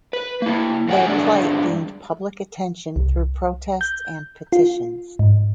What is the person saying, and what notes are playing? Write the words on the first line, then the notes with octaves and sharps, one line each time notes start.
Their plight gained public attention through protests and petitions.
B4
A#3 E4
G#2 F#3 A3 F#5 G#5
G2 D3 G#3 D4 D5
C2
G6
F4
G#2